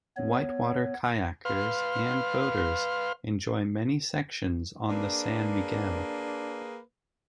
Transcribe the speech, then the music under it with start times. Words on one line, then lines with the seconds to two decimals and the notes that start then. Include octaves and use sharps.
Whitewater kayakers and boaters enjoy many sections on the San Miguel.
0.17 B3 C#5
1.45 B4 F5 C6 F6
4.89 A#3 D4 G#4 B4